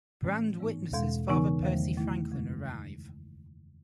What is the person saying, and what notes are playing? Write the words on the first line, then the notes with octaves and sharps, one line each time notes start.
Brand witnesses Father Percy Franklin arrive.
A2 E3 A3 C#4
G#2 E3 B3 D#4
E2 B2 G#3
C#3 E3 B3 D#4
E2 D#3 F#3 A3
D#3 A3 E4
F#2 C#3 G#3